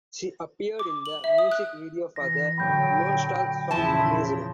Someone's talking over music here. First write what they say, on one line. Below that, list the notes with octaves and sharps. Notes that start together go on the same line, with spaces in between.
She appeared in the music video for the Lonestar song Amazed.
D6
F#7
E5
D#6
F#6
E3 A#6
A#2 D3 F#3 G5 B5 G6
E2 A#2 C#3 F3 E4 A5